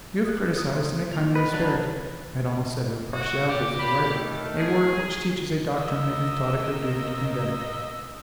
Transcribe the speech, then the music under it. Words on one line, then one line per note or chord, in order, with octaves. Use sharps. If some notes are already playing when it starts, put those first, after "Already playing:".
You have criticised in a kindly spirit--I had almost said with partiality for the writer--a work which teaches a doctrine that you thought it your duty to condemn.
D#6 F#6
D#6
C6
A#2 E3 F7
B4 D#5
F#3 D4 B4
F#4
G4 D5
D4 F5 B5
D#3 A3
G#4
A#4 D#5 E6